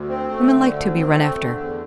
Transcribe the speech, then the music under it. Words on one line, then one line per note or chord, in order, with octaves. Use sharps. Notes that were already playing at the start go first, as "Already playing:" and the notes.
Women like to be run after.
Already playing: D2
C4
A3
D3
D2
C4
A3
D3
E2